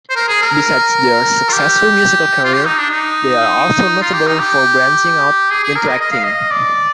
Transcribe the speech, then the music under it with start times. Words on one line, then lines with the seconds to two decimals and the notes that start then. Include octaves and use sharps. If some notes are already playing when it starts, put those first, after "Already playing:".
Besides their successful musical careers, they are also notable for branching out into acting.
0.10 C5
0.16 A#4
0.28 G#4
0.42 A#4
1.49 F4
1.53 G4
2.44 F4
2.53 G4
2.66 D#4
2.78 D4
2.90 D#4
4.02 F4
4.14 G4
4.27 D#4
4.40 G4
5.51 G#4
5.63 G#4
5.75 A#4
5.88 D#5
6.01 D#5
6.11 F5
6.24 D#5
6.51 D5